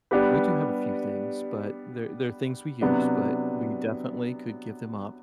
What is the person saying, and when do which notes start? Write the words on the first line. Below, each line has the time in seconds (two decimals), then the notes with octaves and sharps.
we do have a few things, but they're they're things we use, but we definitely could give them up
0.11 G3 B3 D4 G4 B4
2.81 C3 F#3 B3 D4